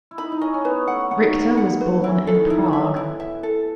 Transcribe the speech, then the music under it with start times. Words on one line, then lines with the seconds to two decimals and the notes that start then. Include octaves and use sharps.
Richta was born in Prague.
0.11 E4
0.18 D#4 B5
0.32 D#4
0.41 C#4 D#5
0.54 C#4
0.64 B3 B4
0.88 A3 F#5
1.11 D#3 F#5
1.34 F#5
1.57 F#5
1.81 B4
2.04 E3 E4
2.27 A4
2.35 D#3
2.50 E4
2.62 E3 F#3
2.73 E5
2.96 E4
3.20 E5
3.43 A4